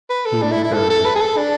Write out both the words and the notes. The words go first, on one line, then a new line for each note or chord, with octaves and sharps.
He was buried.
B4
A4
D4
E4
E4
A4
A4
B4
G#4
A4
D4